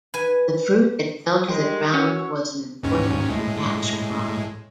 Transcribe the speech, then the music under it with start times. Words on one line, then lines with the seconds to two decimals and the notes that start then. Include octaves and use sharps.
The fruit that fell to the ground was an important cash crop.
0.14 B4 G#5
1.48 G3 G#3 A#4 G5 C6
1.94 C#4 F#4 C#5 F#5 E6
2.83 D#2 G#2 C#4
3.30 A2 G#3